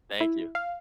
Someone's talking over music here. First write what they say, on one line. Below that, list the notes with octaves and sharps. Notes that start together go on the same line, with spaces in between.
Thank you.
E4
F5